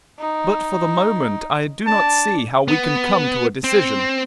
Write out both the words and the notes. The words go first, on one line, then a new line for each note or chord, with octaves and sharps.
But for the moment I do not see how we can come to a decision.
D#4
D4 A5
B3
C4